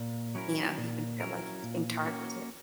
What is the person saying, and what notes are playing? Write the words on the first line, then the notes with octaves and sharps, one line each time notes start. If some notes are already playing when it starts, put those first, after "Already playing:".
you know, he can feel, like, he's being targeted.
Already playing: A#2
F#3 C#4 E4 A#4
A#2
F#3 C#4 E4 A#4
A#2
A#3 C#4 F#4